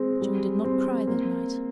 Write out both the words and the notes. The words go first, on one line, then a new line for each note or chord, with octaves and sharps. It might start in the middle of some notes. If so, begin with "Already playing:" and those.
June did not cry that night.
Already playing: G#3 C4
G3
C4
A#3